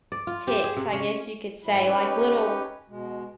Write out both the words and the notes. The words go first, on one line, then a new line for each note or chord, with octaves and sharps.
ticks, I guess you could say, like, little
D5
F4
G4
G#4
C3
C#4
G#2 F3 E4
C#4 D#4 G4 B4 C#5
B2 G#3